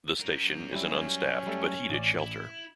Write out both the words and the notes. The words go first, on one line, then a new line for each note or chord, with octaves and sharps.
The station is an unstaffed but heated shelter.
F#2 A#4
G3 C#4 E4
G3 A3 A4
A1 D5
E4